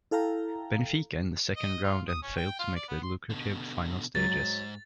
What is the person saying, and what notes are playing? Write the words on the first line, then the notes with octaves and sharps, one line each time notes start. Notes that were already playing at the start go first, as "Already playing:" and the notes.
Benfica in the second round and failed to make the lucrative final stages.
E4 A4 F5 G5 A#5
D#5
F4
D#6
C#4
G5
F4
D5
B3
C6
B2 D3
G#2 F#3 A6